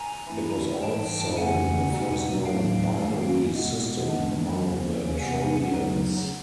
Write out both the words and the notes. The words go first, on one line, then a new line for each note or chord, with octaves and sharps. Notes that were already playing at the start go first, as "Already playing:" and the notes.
It was also the first known binary system among the Trojans.
Already playing: G#5 A#5
G2 E3 A3 C4 E4
G#2 E3 G3 G5 A5
F2 C#3 E3 A3 C#4 F#5 G#5
E2 B2 G3 C4 D#4
A2 F#3 A3 D4 F5 G5
G#2 D#3 G3 A#3 C#4
B2 G#3 B3
G2 E3 G#3 B3 D4
D#2 C#3 F3 A#3 C#4
E2 C3 E3 G3 B3 F#5 G#5
F#2 C#3 F#3 B3 D#4